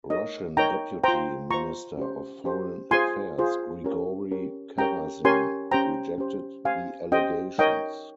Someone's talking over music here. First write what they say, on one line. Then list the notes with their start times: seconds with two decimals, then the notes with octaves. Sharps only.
Russian Deputy Minister of Foreign Affairs Grigory Karasin rejected the allegations.
0.10 D#4 A#4 C#5 D#5
0.57 D#4 A#4 C#5 G5 A#5
1.04 F4 C5 G5 A#5
1.51 F4 C5 A#5 C#6
1.98 C#4 G4 C5
2.44 C#4 G4 C5
2.91 F4 G#4 C5 G#5 C6
3.38 F4 G#4 C5
3.84 C#4 G4 A#4 C#5
4.31 C#4 G4 A#4 C#5
4.78 C#4 G4 A#4 C#5 G5 A#5
5.25 C#4 G4 A#4 C#5 G#5 C6
5.71 C#4 G4 C5 G5 A#5
6.18 C#4 G4 C5
6.65 C#4 G4 C5 F5 G#5
7.12 C#4 G4 C5 D#5 G5
7.58 D#4 A#4 C#5 D#5 G5